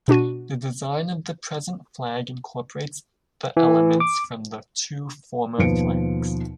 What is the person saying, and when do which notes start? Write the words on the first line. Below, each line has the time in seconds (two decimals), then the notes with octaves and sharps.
The design of the present flag incorporates the elements from the two former flags.
0.08 B2 D4 F#4 D#7
3.57 E3
4.00 D6
5.58 D#2 B2 F3 B3 C#7 D7